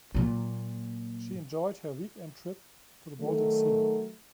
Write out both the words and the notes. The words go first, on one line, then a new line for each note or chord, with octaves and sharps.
She enjoyed her weekend trip to the baltic sea.
A#2 F#3
D#3 F#3 A3